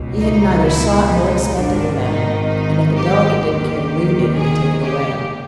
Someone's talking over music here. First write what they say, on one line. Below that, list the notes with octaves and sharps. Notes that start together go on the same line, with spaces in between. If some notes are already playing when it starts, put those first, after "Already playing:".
He had neither sought nor expected the medal; and if the delegate didn't care to leave it he could take it away.
Already playing: C#2 B2
D#4
E4
D#4
G#1 G#2 D#3 D4
D#4
D#4
G4
D#2 D#3 G4
G#4
G4